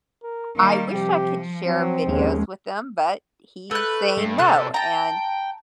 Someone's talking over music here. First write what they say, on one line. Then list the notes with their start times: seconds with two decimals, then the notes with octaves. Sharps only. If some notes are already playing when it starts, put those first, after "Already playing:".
I wish I could share videos with him but he's saying no, and
0.23 A#4
0.57 D#3 G3 A#3
0.92 C3 F3 G4
1.66 F#3 C4
2.05 D#2 G#2 G#3 C#4
3.71 A3 B4 F#6
4.17 G2
4.38 C3 A4 F#6
4.74 G5 A5 A#5